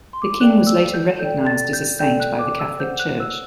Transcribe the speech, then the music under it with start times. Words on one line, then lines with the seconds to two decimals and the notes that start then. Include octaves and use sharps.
The king was later recognized as a saint by the Catholic Church.
0.13 C6
0.22 D6
0.30 C6
0.40 A4 D5 G5 F#6
0.67 E6
0.94 G6
1.19 A4 D5 G5 G6
1.46 A6
1.73 G6
1.99 A4 D5 G5 G6
2.20 F#6
2.39 D6
2.59 E6
2.79 C5 F#5 G6
2.99 F#6
3.20 E6